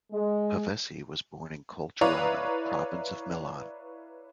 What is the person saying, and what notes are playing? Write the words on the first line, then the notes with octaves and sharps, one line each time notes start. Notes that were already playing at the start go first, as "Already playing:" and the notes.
Pavesi was born in Colturano, province of Milan.
G#3
E4 B4 C#5 D5 F5 A#5